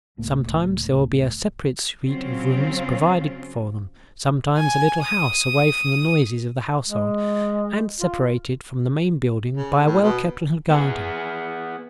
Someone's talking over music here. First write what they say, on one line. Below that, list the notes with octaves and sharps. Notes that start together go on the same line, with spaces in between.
Sometimes there will be a separate suite of rooms provided for them; sometimes a little house away from the noises of the household, and separated from the main building by a well-kept little garden.
D1 C#2 A2 A#3
C#3 F#3 C4 C#4 F4
G#5
D#6
G#3
F4
C#3
A2
B2
B3 G#4